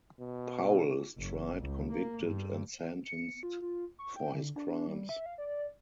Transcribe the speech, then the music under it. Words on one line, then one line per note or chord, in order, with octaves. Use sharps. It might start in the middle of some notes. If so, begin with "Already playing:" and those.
Powell is tried, convicted, and sentenced for his crimes.
B2
F#1
C#2
A#3
G2
C#7
F4
F4
C#6
G5
D3
D4
G3
E5
F5
D5